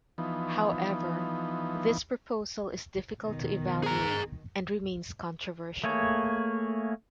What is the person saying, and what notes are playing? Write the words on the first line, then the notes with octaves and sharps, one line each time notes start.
However, this proposal is difficult to evaluate, and remains controversial.
E3 F3 B3 D#4
B2 D#3
G#4 A#5
A3 A#3 G#4 C#5